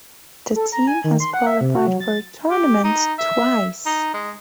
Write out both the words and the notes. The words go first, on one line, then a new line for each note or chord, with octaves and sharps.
The team has qualified for a tournament twice.
A4
A#5
G#5
D#3
C6
F#5
E5
C3
F#4
F#3
A6
G4
D#4
E5
D#4
G#3